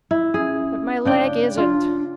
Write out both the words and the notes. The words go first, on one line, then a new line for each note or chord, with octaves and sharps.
But my leg isn't.
E4
C#4 G#4
C#3 D4 D5 G5
D4 F4